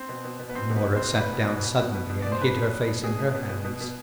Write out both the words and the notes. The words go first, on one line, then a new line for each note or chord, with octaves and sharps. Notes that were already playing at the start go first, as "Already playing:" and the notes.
Norah sat down suddenly, and hid her face in her hands.
Already playing: C4
B2
B2
B2
B3
B2 C4
B2
B3
B2
C4
B2
B2 B4
B2
B2
B2
B2
B2
B2
B2 D5
C5
B2 B4
B2
B2
B2
B2 G#4
B2
B2
B2
B2
B2